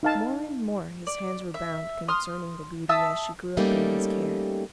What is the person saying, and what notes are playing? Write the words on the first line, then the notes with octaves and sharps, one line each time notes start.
More and more his hands were bound concerning the beauty, as she grew up in his care.
D#4 F5 A5
D5
E5
C6 D#6 F6
E5 A5 D#6 E6
G3 A3 A#3 C#4 D#4 G4